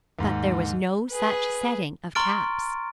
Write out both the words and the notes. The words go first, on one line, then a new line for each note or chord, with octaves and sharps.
But there was no such setting of caps.
D#2 G#2
G#4 B4
A#5 C6 C#6 F6 A6 D7